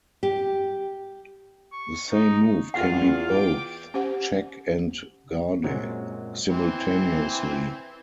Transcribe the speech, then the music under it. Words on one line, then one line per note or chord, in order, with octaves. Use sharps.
The same move can be both "check" and "garde" simultaneously.
G4
C#6
D#4
E2 F4 F#4 F#5
G5 D6
C#4 G4 C5 F#5
F#2 A#2 F#3 G#3 C4
E3 C4